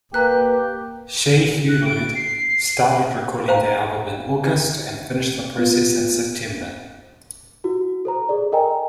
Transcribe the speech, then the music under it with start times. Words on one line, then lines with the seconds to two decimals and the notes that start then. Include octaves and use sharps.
Shai Hulud started recording the album in August and finished the process in September.
0.14 A#3 G4 B4 A#5 F#6
1.69 F#6
1.85 D7
2.15 C7
3.48 C5 F5 G5 A#5
5.58 B3 F4
7.64 E4 F#4
8.05 A4 C5 A#5
8.29 G#4 A4 D5
8.52 A4 A#4 D#5 G5 G#5 A#5